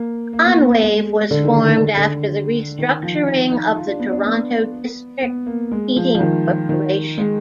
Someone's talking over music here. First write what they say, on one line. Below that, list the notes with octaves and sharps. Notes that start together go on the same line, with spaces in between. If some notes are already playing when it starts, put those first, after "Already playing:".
Enwave was formed after the restructuring of the Toronto District Heating Corporation.
Already playing: A#3
A#3
B3
B3
B3
G#3
D3
D#3
D#3
D#3
D3
D3
D#3
F3
D#4
D#4
F4
D4
B3
D4
B3
B3
A#3
G#3
F3
F3
D#3
D#3
G#3